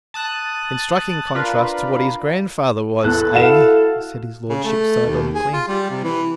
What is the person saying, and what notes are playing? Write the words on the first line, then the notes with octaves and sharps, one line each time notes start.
"In striking contrast to what his grandfather was, eh?" said his lordship sardonically.
A5 D#6 F#6
D4 F4 A#4 B4
E2 E4 A4 F#6
F#4 F5 E7
C#3
A3
D#2
G#4
F4
G3
C3
E3